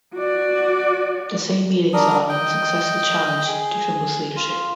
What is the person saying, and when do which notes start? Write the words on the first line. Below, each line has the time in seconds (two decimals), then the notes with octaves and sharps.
The same meeting saw an unsuccessful challenge to Trimble's leadership.
0.14 F#4 D5
1.93 G3 D4 A#4 D#6
2.29 D#5 G5
3.48 G#4
4.36 F4